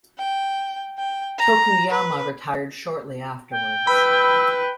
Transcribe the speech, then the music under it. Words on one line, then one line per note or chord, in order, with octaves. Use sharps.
Tokuyama retired shortly afterwards.
G5
G5
A#5
B4
G5
B4 B5 E6